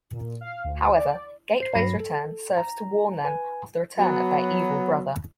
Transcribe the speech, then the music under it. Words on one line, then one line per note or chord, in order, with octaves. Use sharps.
However, Gateway's return serves to warn them of the return of their evil brother.
A#2
F5
D2
D5
C5 C7
G2 F#3 B5 A#6 C7
A4
A#5
B4 G#5
F#3 B3